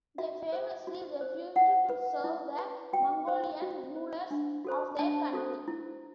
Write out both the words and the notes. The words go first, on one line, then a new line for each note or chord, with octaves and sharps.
They famously refused to serve the Mongolian rulers of their country.
F#4 E5
C5
F#4
C5
E4 F#5
B4
E4
B4
F#4 G5
C5
F#4
C5
D4
F#4 A4 C5
D4 A5
F#4 A4 C5
E4